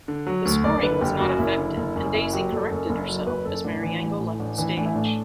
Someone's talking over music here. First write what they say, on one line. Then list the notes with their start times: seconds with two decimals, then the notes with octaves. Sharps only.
The scoring was not affected and Daisy corrected herself as Mariangel left the stage.
0.08 D3
0.27 F#3
0.45 D2
0.64 F#1 D5
0.82 D3 B4
1.01 F#1 G4
1.20 F#2 F#4
1.39 F#1 E4
1.58 D3
1.77 F#1
1.96 F#2
2.14 F#1 E4
2.33 F#3 G4
2.52 F#1 A4
2.71 F#2
2.89 F#1
3.08 F#3
3.27 F#1 B4
3.45 F#2 A4
3.64 A1 D4
3.83 E3
4.02 A1
4.21 A2
4.39 A1 D4
4.58 E3 D4
4.77 A1 D4
4.86 E4
4.94 A2 D4